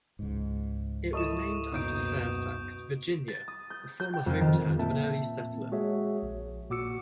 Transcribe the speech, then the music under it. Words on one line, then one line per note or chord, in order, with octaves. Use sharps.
It was named after Fairfax, Virginia, the former hometown of an early settler.
C#2 G#2
E4 A4 D#5 C#6 D#6 E7
F#1 B2 D#4 D#6 G6 D7
A6
D#6
G6
G6
G5
F2
D#3
A#2 A#3 C4 E5 A5
G#3 F#4 G#4 C#5 E5
A#1
A#2 F#4 D6 E6 C#7